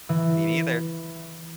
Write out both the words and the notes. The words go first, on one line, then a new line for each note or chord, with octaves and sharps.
Me neither,
E3